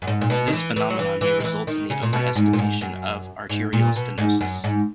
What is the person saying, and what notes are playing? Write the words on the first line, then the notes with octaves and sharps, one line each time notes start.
This phenomenon may result in the overestimation of arterial stenosis.
F#2
G#2
A#2
B2
D#3
E3
E3
F#3
E3
E3
D#3
E3
D#3
C#3
A#2
B2
G#2
A#2
G#2
F#2
G#2
A#2
B2
G#2
F#2
G#2